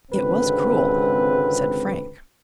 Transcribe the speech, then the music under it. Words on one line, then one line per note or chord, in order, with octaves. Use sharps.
"It was cruel," said Frank.
G#1 C#2 D3 C4 B4